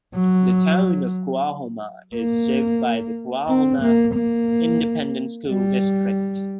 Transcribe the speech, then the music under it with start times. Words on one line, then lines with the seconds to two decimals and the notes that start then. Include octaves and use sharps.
The Town of Coahoma is served by the Coahoma Independent School District.
0.15 F#3
2.15 A#3
3.48 C4
3.82 A#3
4.15 A#3
5.48 G3